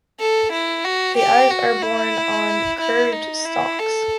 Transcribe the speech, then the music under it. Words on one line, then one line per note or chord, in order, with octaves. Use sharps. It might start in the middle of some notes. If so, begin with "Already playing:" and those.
The eyes are borne on curved stalks.
A4
E4
F#4
G4
F#4
E4
E4
D#4
E4
A4